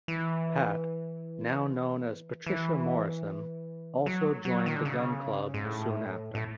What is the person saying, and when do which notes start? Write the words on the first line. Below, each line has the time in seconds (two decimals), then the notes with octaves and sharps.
Pat, now known as Patricia Morrison, also joined The Gun Club soon after.
0.08 E3
2.47 E3
4.06 F#3
4.45 F#3
4.66 D#3
4.76 D3
4.85 C#3
5.54 G#2
5.65 A2
6.35 A2